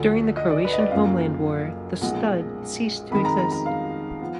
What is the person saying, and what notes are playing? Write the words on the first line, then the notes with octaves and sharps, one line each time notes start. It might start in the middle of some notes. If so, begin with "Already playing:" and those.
During the Croatian Homeland War the Stud ceased to exist.
Already playing: D2 D3 F3 F#5
D#5
D5
B4
D#5
D5
F#1 F#2 F3 A#3 F5
B1 A#2 F3 G#3 F#5
F2 D#3 G#3 B5
A#5
A#5
A#5
F5
F3 B3